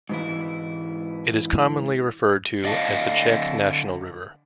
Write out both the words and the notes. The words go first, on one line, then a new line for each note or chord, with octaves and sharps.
It is commonly referred to as the "Czech national river".
G#2 E3 E4
D3 D5 D#5 F5 A5